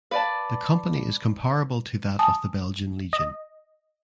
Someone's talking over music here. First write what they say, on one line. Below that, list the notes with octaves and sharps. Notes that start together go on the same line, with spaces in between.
The company is comparable to that of the Belgian Legion.
B4 D5 F5 A5
G#5 A5 D#6
D#5